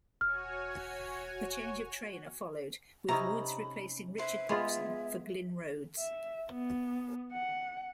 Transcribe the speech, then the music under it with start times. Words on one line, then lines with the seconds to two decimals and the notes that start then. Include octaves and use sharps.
A change of trainer followed, with Woods replacing Richard Poxon for Glyn Rhodes.
0.21 E1 F#4 C#5 G#5 F6
3.09 C3 C#4 D#4 A#5 B5
4.18 B4 C5 E5
4.49 G#3 B3 F4 G#4
5.99 E5
6.50 B3
7.32 F#5